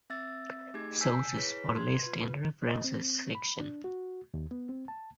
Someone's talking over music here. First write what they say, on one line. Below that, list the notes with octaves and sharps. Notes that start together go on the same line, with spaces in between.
Sources for list in References section.
C4 E5 E6 A6
A3 D#4 G4 G#4 G#6
G#5 A5 E6 G6 B6 C7
E4 G#4 B4 C#5 B6
C6 G#6
F4 B4
D#5
C4
B5
D4
F#4
D#2
B3
C4
A5